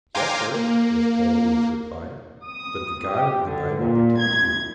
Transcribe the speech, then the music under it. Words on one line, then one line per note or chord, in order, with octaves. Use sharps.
"Yes, sir," was Toline's reply; "but the God of the Bible protected me."
F5 G5 G#5 A#5 C6 D6
A#3
D#6
G4
D3
A#2
G#6